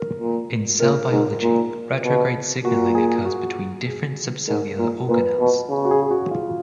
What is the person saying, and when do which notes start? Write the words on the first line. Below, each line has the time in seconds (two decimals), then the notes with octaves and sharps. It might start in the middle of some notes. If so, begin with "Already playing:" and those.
In cell biology, retrograde signaling occurs between different subcellular organelles.
Already playing: A#4
0.20 A#2
0.80 A#2 A#4
1.11 G#2
1.42 A#2
2.03 B2
2.64 A#2 F#4
2.95 G#4
3.25 F#4
3.87 G#4
4.48 G#2 A#4
4.78 A#2
5.09 A#2 B4
5.40 B2
5.70 C#3
5.85 F#4
5.91 G#4
6.02 G#4
6.10 F#4
6.31 F4